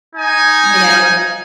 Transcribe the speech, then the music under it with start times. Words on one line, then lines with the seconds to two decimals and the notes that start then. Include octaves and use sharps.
You know.
0.16 D#4 G#5